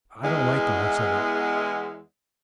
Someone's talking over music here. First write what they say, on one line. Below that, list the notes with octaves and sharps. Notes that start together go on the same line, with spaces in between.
I don't like the looks of it.
E2 G#3